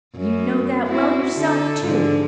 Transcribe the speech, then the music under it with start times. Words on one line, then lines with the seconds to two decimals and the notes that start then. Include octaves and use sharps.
You know that well yourself, too.
0.17 F#2
0.87 C4 E4 F#4
1.36 D3 A4
1.84 G#2 D3 F3